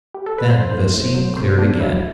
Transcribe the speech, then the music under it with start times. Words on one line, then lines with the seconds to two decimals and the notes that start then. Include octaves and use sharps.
Then the scene cleared again.
0.14 G4
0.26 A4
0.38 B4
0.50 A2 C5
0.71 A2
0.94 A2
1.14 F#3
1.36 C3 C5
1.58 B3 D4
1.80 F#3 E4